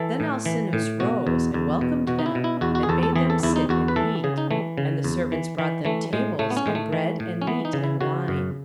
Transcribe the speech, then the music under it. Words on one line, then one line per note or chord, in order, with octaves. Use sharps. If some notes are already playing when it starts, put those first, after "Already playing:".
Then Alcinous rose, and welcomed them, and bade them sit and eat; and the servants brought them tables, and bread, and meat, and wine.
Already playing: E3 A4
A2
E3
A2
B2 F#4
E2
E2
B2
B2 F#4
D#4
E4
B2
E4
E2 F#4
F#4
G#4
E2 A4
A4
E3 G#4
A4
E2 E4
D#4
E2 F#4
B4
E3 A4
C#3 G#4
D#4
E3 A3
C#3
E2
E3
E3
E3 A3
A2 G#3
A2 A3
B3
C#4
A2 G#3
A3
E3
A2
C#4
E3 B3
D#4
C#3
E4
C#3 F#4
F#2